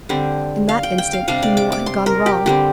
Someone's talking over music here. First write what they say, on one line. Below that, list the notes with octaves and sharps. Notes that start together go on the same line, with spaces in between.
In that instant, he knew what had gone wrong.
D3 G3 C4
F5
G5
G5
F5
C3 G3 D4 F5
D5
D6
D6
C6
A#4
G4
D3 G3 C4 G4